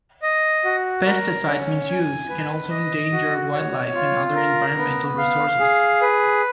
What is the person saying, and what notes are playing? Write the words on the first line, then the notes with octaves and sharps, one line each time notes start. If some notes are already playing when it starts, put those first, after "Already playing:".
Pesticide misuse can also endanger wildlife and other environmental resources.
D#5
F#4
A#4
C#4
G#5
B4
D#5
F#4
C#5
F4
A#4
B3
F5
G#4
B4